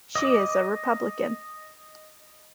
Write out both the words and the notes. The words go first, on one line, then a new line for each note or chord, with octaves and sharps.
She is a Republican.
D#5 D6